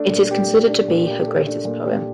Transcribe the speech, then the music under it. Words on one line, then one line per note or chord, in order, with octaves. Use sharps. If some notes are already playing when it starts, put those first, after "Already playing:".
It is considered to be her greatest poem.
Already playing: A3 D4
A#2
G4
A3
D4
A#2
G4
A3
D4
A#2
G4